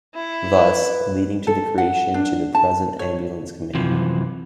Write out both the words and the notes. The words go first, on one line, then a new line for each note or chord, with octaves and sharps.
Thus, leading to the creation to the present Ambulance Command.
E4
B4
A4
F#5
D4
A5
C#5
F#2 C3 E3 F3